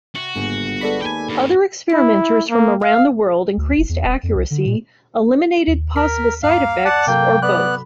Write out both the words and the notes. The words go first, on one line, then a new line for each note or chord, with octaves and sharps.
Other experimenters from around the world increased accuracy, eliminated possible side effects, or both.
C3 F#4
G1 G#2 C#3 A#3
G#3 B3 A4 D5 B5
D#2 G5 G#5
G2
E4
A#3
F5
D2
F#1
E2
D#1
F2
C2
D3
A#2
D#2
A#4 B6
G2 A#3 F5
D5 F#5 A5
C3 F#3 A#3 A4 G5
B3 D5 B5 F#6